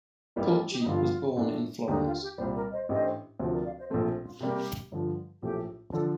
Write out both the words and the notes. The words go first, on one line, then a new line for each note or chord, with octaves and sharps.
Pulci was born in Florence.
A1 A2 G3 A#3 D#4 G4
A#4
A4
G4
D#4
G2 D3 F3 F4
A2 A3 D4
D#2 D3 A3 D4 D#4 G4
F4
G4
C2 A#2 G3 C5
A#4 D5
C5 D#5
A1 A2 A3 D4 G4 C5 D#5
D2 C3 F3 C5
A#4 D5
D5 F5
C5 D#5
A#1 A#2 A3 C4 C5
A4
F4
C3 G3 A#3 G4
G2 D3 F3
A#1 A2 A3 G4
D3 F3 A4